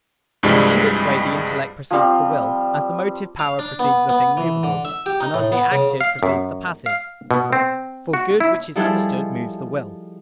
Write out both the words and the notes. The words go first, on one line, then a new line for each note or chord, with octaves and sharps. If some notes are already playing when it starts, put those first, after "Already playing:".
And in this way the intellect precedes the will, as the motive power precedes the thing movable, and as the active precedes the passive; for good which is understood moves the will.
C2 G2 F3 G3 G#3
F3 G3 C4
F5
D4
B3
B3
E3
D3
E5
G4
D#4
A2
B3
C#3
F5
F#2
F5
B2
C4
F#4
E4
F3 G3 D#4 E4 G#4 A4